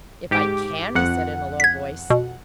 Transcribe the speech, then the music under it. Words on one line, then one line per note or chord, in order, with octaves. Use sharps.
"If I CAN!" he said, in a low voice.
G#2 G4 D6
F2 F#5
G#6 B6
B2